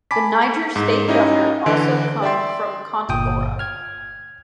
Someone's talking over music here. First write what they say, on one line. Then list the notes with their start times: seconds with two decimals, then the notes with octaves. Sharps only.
The Niger state governor also come from Kontagora.
0.11 G#5 A5 B5 D6 B6
0.76 G#2
1.08 C#4 D#4 E4 G4 D#5
1.66 D3 E3 D7
2.22 D5 E5 G5 C6 A6
3.09 G1 A#2 G5 D#6
3.59 F6 G#6